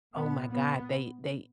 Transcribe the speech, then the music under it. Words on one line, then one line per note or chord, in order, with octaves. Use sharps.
oh my god, they they
A#2 B3
B3